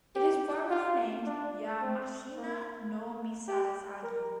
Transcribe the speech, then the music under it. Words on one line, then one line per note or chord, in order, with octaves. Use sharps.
It is formally named "Yamashina no misasagi".
G4
F4
D4
C4
A#3
G4
A#4